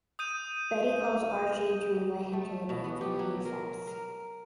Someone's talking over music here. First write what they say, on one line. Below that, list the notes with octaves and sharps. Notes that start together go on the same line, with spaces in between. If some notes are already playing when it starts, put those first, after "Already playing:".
Betty calls Archie to invite him to the dance, and he accepts.
D#6 G6 D#7
A3
B2
B3
G4
F#3
A#4
A#4